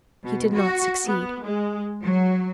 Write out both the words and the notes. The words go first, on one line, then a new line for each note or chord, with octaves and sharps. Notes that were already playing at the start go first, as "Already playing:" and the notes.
He did not succeed.
B2
F#4
B3
G#3
F#3